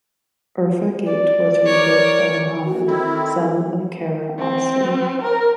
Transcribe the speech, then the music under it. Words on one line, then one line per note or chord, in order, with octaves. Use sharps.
Urfa Gate was rebuilt by Muhammad, son of Kara Arslan.
D5
A#4 C#5
F#4
D#3 C4 E4 A4
C4
A#4